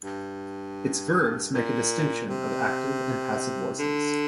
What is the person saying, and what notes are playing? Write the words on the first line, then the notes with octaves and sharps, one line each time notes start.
Its verbs make a distinction of active and passive voices.
G2
A#2
C3
D3